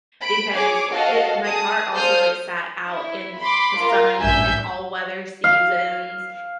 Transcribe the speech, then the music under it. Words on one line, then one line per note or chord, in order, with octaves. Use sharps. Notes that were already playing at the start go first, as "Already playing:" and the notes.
because i my car also like sat out in the sun and all weather seasons,
B5 D7
G#4 C#5 D6
F#4 A4 D#5 F5
G#4 A5 D#6
A4 C5 F5 D#6 F6 G6
E4
B5 C6 D6
F4 A#4
A1 G2 E5 G#5 E6 G6
F5